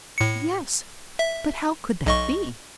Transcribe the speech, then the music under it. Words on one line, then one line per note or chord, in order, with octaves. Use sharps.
"Yes, but how could that be?"
A2 C#7
E5
B1 D#5 C#6